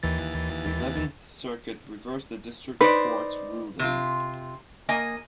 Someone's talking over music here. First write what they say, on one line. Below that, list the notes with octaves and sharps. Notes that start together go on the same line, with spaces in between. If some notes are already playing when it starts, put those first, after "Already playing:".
The Eleventh Circuit reversed the district court's ruling.
D#2 E3 A6
D#4 B4 C5 D5
C3 F4
A#3 D#5 G#5